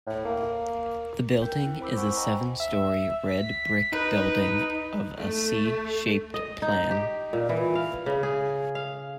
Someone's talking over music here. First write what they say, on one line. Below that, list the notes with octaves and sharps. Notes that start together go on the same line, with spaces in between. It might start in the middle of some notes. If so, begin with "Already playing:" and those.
The building is a seven-storey red brick building of a C-shaped plan.
A2
A#3
A#4 G5 G6
C4 E4
C5 B5 D6 E6
F#5 G#5 B5 C#6
C5 D#5 G5 G#5 A#5
E5
B6
D#4 B4
A3
D#5
D#4
G4
A#2
E3
F5
C#3
G#4
F5